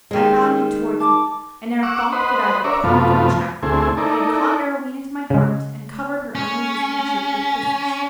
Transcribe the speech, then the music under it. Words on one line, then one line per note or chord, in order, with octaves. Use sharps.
I bounded towards it, and ere thought could either prompt or check, I had caught Arowhena to my heart and covered her unresisting cheek with kisses.
D#3 G#3 G4 D#5
A5 D6
F#5 C#6 D6 E6
B4 C5 D#5 F#5
D4 A#4 C#5 D5 E5
F#2 C3 F3 A3 B3 F4
D2 A3 C4 E4 G#4
D#4 E4 A4 A#4 D5
C#3 G#3
C#4